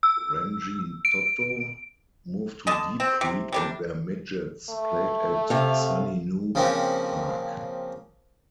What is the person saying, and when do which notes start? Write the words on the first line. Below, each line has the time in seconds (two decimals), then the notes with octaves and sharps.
Rangitoto moved to Deep Creek and their midgets played at Sunnynook Park.
0.03 E6
1.05 D7
2.67 D3 D#5 A5
3.00 C4
3.21 C3
3.52 C3 G3 D4
4.70 A3
5.50 C3 F5
6.55 C#3 F3 A#3 C4